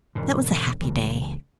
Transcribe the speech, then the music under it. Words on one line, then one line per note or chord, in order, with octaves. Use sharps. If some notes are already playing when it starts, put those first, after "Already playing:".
That was a happy day.
E1 G#2 B2
C#2 E3